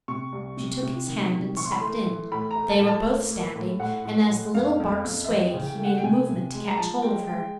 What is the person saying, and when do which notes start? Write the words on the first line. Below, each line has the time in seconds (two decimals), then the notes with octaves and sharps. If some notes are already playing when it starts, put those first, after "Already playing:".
She took his hand and stepped in; they were both standing, and as the little bark swayed he made a movement to catch hold of her.
0.08 C3 C#6
0.32 C2
0.57 C3
0.83 C3
1.08 D#3
1.33 C3
1.57 E3 C#6
1.64 C6
1.72 B5
1.79 A3 C6
2.06 E3
2.32 A2 B5
2.51 A#5
2.56 A3
2.69 A5
2.80 A2
2.87 A5
3.06 A#3
3.31 A#3
3.56 A2
3.80 A2 F#5
4.05 A2
4.30 A2
4.54 F2 F5
4.80 F2
5.05 F2
5.24 E5
5.29 E3 D#5
5.48 G5
5.54 C#3
5.67 G5
5.78 A3
5.85 F#5
5.98 G5
6.03 C3 G#5
6.29 C3
6.54 G#3
6.68 A#5
6.77 F3 A5
7.02 G#3 G5
7.28 G#3 G5